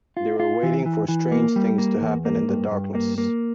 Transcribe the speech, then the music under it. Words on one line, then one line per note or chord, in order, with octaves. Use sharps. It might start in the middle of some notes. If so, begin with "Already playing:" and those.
They were waiting for strange things to happen in the darkness.
F4
F4
E3
E3
E3
A#3
G3
A#3
E2
A#3
G2
G2
A#3
A#3